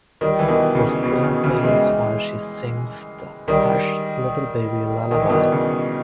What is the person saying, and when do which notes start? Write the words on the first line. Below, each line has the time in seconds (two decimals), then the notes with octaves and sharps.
The screen fades while she sings the "Hush, Little Baby" lullaby.
0.21 D#3 G3
0.39 E3
0.48 B2 D#3
0.75 C#3
1.03 B2
1.23 C#3
1.43 C#3 E3
1.64 E3 G#3
3.48 D#3 G3
5.11 D#3
5.20 E3
5.29 B2 D#3
5.52 C#3